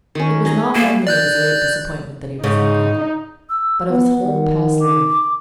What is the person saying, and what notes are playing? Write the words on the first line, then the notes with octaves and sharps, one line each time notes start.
It was not only of his late disappointment that he was thinking, but of his whole past life.
D#3 C#4
C#4 G#4 A#5
A3 A#3
D5 F#6 G6
G#2 C#3 C#4 D#4
E6
B3 F#5
D#3
D6